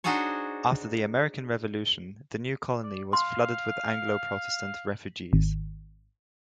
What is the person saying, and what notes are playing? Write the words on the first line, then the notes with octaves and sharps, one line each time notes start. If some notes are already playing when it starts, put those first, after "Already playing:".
After the American Revolution, the new colony was flooded with Anglo-Protestant refugees.
D4 D#4 F#4 G#4 C5 C#5
D5
F5 C6
G#1